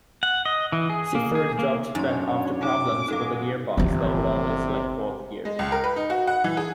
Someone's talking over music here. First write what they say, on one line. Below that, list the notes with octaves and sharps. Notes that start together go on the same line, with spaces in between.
Siffert dropped back after problems with a gearbox that would only select fourth gear.
F#5
D#5
E3
G#4
A#3
G#4
A#3
F#2 D4 D#4 C#5 C6
D#4 D6
D3 F#3 G#3 D#4 A4 F5
G1 C3 E3 F3
G#3
C#2
A#4
B4
D#4
F#4
F#5
E3
G#4